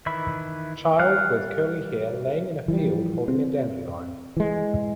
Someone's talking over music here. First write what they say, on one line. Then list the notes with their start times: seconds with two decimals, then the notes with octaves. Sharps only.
Child with curly hair laying in a field holding a dandelion.
0.06 D#3 E3 E5 B5
0.99 G3 F5 F#5
2.68 E3 F3 G3
3.28 C4
4.37 E3 G#3